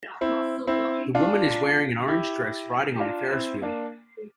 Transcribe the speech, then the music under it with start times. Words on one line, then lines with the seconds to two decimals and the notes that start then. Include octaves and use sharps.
The woman is wearing an orange dress riding on the ferris wheel.
0.21 C4 E4
0.67 C4 E4
1.15 D4 F4
2.08 E4 G4
2.96 G4
3.00 D4 F4
3.32 C4 E4
3.62 A#3 D4